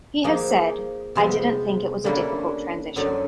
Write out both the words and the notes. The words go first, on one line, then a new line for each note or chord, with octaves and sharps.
He has said:I didn't think it was a difficult transition.
F3 A#3 D#4 G#4
C3 F3 G#3 B3
D3 G3 A#3 C#4 E4
F#2 D3 F#3